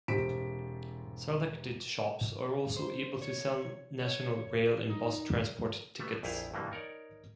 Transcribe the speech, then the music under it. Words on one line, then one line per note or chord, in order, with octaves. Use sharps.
Selected shops are also able to sell national rail and bus transport tickets.
E1 C3 C5 B6 D7 E7
C5
C#5
C#5
D#4
G3 A3 B3
A#1 F2 E4 G#4 C5 F5
G2 B2 E3 F#3 G3 A#3
D#4 A#4 C#5 D5